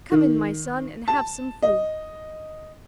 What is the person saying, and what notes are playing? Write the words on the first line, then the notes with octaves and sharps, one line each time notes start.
'Come in, my son, and have some food.
D#3
A5
D#5